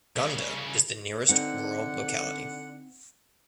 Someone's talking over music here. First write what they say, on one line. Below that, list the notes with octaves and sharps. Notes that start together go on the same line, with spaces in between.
Gonda is the nearest rural locality.
C2 C#3
D3 C4 D#4 F#5